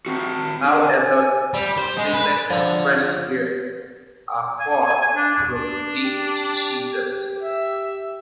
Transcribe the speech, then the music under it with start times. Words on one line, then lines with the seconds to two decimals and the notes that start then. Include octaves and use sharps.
However, the statements expressed here are far from unique to Jesus.
0.06 C4 F#4
0.64 D3
0.84 G#5
1.54 G3
1.78 C5
1.97 G#3
2.14 B4
2.50 D3 F3
4.59 G#5
5.16 D4
5.54 D4
6.05 G4
7.43 E5